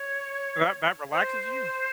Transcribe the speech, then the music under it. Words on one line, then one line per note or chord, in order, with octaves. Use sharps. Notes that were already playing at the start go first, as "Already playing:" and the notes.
That that relaxes you?
Already playing: C#5
C5